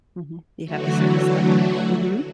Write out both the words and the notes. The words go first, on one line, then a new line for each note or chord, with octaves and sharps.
Mhm. You'd have to to study. Mhm.
D3 E3 F#3 A3 F#4